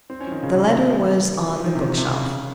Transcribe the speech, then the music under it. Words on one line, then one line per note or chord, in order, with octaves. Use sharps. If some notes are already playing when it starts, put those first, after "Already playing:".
The letter was on the bookshelf.
C4
C#4
F3
D#3
C#3
C3
C#3
D#3
F3
F3
D#3
C3
C3
C3
C#3